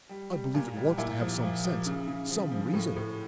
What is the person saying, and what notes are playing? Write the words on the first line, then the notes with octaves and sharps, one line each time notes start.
I believe it wants to have some sense, some reason!
G3
G3
A#2
G3
A#2 E4
F3
F3
F3
C#3
C#3
F3
F3
A2
A2